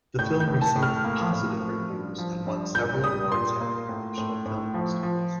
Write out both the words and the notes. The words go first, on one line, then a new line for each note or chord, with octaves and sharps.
The film received positive reviews and won several awards at international film festivals.
A2 G6
G6
A2
A5
A2
F6
A#3
A2
F3
G2
F3
G2
A#2 G6
G3 D#6
A#2 C6
A#3
A2
A2
A2
F3
F3